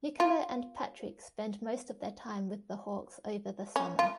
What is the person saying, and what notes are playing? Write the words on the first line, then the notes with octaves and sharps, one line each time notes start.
Nicola and Patrick spend most of their time with the hawks over the summer.
F4
C#4
F4